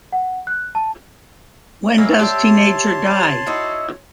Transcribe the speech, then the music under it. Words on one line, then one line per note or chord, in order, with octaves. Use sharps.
When Does Teenager Die?
F#5
F#6
A5
F#3 A#3 C#4 D#4 E4
G4 C#5 D5 E5 A5 C6
D#4 E4 F#4